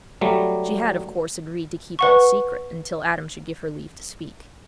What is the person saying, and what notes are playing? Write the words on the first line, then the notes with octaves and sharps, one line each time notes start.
She had, of course, agreed to keep all secret until Adam should give her leave to speak.
F#3 G3 A3
B4 F#5 C#6